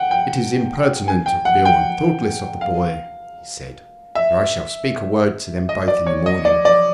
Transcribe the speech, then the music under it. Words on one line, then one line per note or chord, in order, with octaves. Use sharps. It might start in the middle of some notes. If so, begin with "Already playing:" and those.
"It is impertinent of Beale and thoughtless of the boy," he said; "and I shall speak a word to them both in the morning."
Already playing: F#5 G5
G5
G#5
G5
F#5
G5
F5
E5
D#5
D5
C#5
D#5
D5
D5